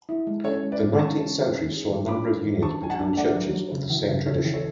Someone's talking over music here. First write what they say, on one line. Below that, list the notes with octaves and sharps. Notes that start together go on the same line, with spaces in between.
The nineteenth century saw a number of unions between churches of the same tradition.
E4
G#3
C#4 A4 C#5
G#3
B4 D5
G#3
C#4 A5 C#6
C#4
C#4
G#4
G#4
E3
D4 B5 D6
D4
E3
D4 A5 C#6
F#3 G#5
F#5 A5
D4
A3 D5 F#5
F#3
F#3
C#3
E3
C#3
C#3 A4 C#5
E3
A4 C#5